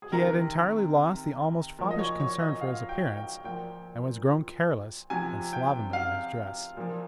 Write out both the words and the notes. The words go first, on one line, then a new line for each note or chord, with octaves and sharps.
He had entirely lost the almost foppish concern for his appearance, and was grown careless and slovenly in his dress.
G#4
C3 D#3 A#4
A#2 F3
D#5
C#5
C#5
D#5
F5
G5
G5
A#2 F3 G5
C3 F3 G#5
G5
F5
A#2 F3